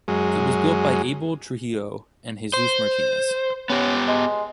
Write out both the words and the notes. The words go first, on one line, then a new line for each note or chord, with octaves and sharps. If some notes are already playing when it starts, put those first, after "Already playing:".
It was built by Abel Trujillo and Jesus Martinez.
F#2 G#3
C5
B3 C#4 G4
G#3